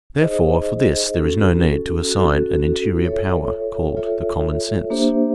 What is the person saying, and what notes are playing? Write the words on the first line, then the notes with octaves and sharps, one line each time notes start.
Therefore for this there is no need to assign an interior power, called the common sense.
D#4 G#4 C5 D#5
C#4 F#4 A4
C#4 F#4 A4
F4 A4 C#5 E5
F4 A4 C#5 E5
A#3 D4 G4 C5 E5